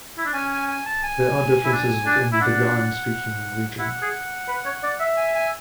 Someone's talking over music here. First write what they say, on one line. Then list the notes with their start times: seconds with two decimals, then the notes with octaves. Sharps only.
There are differences within the Gan speaking region.
0.18 E4
0.25 D4
0.33 C#4 G#5
0.51 G#5
0.68 G#5
0.86 A5
1.03 G#5
1.64 E4
1.72 D4
2.06 D4
2.32 E4
2.41 D4 F#5
3.78 E4 F#5
4.02 G#4
4.48 B4
4.65 C#5
4.83 D5
5.00 E5
5.17 G#5
5.35 G#5